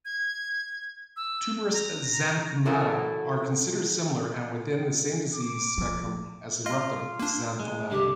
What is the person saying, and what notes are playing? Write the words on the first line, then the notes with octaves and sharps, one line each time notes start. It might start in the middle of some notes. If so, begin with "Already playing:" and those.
Tuberous xanthomata are considered similar, and within the same disease spectrum as eruptive xanthomata.
G#6
E6
A#5
E3 F#3 E4 F#4 A4 A#4
D6
F3
F4 D#5
A#3 D4
G#3
C2 D3 G4